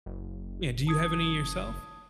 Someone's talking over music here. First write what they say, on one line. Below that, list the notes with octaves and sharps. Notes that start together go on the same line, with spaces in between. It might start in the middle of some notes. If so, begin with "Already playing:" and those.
Yeah, do you have any yourself?
F#1
A5 D#6 G#6